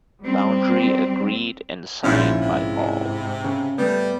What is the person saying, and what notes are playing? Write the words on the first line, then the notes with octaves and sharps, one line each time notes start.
Boundary agreed and signed by all.
G3 C4
A#1 G#2 C#4 E4 F4
G#2 C3
C#3
G3 A3 B3